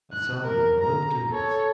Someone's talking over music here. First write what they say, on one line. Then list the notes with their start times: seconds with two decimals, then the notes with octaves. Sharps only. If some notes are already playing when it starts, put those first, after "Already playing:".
I tell you I will do it.
0.13 F#6
0.44 A#4
0.80 A#5
1.30 A4 C#5